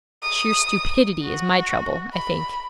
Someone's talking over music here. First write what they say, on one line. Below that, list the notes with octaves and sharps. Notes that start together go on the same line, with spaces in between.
Sheer stupidity is my trouble, I think.'
D#6
F#4
B5